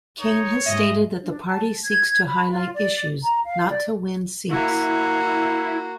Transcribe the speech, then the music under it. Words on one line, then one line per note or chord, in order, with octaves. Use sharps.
Kane has stated that the party seeks to highlight issues, not to win seats.
D#4 C#5
G#2 G#3 D#5 E5
D4
A5
G#6
B5
F4
D5
A#5
F5
D5
A#3 E4 F#4